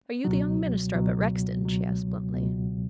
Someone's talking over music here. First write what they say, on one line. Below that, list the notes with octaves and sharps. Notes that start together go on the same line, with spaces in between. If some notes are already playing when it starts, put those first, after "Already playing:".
"Are you the young minister up at Rexton?" she asked bluntly.
C#2 B2 F#3
C#2 B2 F#3
C#2 B2 F#3
C#2 B2 F#3